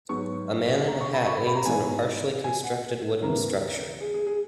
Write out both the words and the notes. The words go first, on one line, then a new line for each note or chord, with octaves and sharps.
A man in a hat leans on a partially constructed wooden structure.
G#2 F#3 B3 C#6
A#5
C#6
B5
C#6
B5
B5
A#5
G#2 E3 G#3 B3 G#5
G#5
F#5
D#2 C#3 E3 B3 A#4
G#4
G#4
G#4